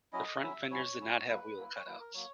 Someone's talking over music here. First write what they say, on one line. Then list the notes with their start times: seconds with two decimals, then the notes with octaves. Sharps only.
The front fenders did not have wheel cutouts.
0.13 F#3 C#4 E4 D#5
0.42 F#3 C#4 E4 E5
0.70 F#3 C#4 E4 C#5
1.00 F#3 C#4 E4
1.28 F#3 A#3 E4 B4
1.56 F#3 A#3 E4
1.76 C#5
1.86 F#3 A#3 E4 B4
2.00 A#4
2.14 F#3 A#3 C#5